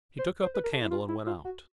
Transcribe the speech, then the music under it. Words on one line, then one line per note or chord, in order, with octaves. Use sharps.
He took up the candle and went out.
C5
C5
B4
A#4
A4
E4
F4
E4
F4
F#4